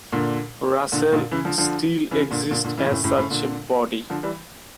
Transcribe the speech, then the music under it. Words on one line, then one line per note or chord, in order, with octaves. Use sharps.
Russell still exists as such a body.
A#2 D3
A#2 D3
A#2 D3
C#3 E3
D3 F3
D3 F3
C#3 E3
A#2 D3
A#2 D3
A#2 D3
C#3 E3
A#2
A2 C#3
A2 C#3
A2 C#3
A#2 D3
D3 F3
E3 G3